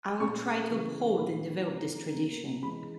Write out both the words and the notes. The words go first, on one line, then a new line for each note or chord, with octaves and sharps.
I will try to uphold and develop this tradition.
A#2 G#3 C#4 C#6
C#3 E3 G#3 B3
A#2 G#3 C#4 B5
E3 G#3 B3 A#5
B2 A#3 C#4
E3 G#3 C#4 B5